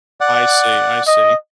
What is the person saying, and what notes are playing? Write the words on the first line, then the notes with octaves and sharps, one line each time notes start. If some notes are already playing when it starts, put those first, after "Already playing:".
I see I see.
D5 F#5
D#5